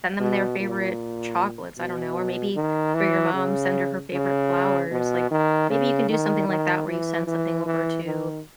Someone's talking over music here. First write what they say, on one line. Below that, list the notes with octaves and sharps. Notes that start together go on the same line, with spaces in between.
send them their favorite chocolates, I don't know. Or maybe for your mom, send her her favorite flowers, like, maybe you can do something like that where you send something over to
B2
A#2
B2
D#3
E3
C#3
C#3
B2
D#3
C#3
D#3
D#3
E3
E3
E3
D#3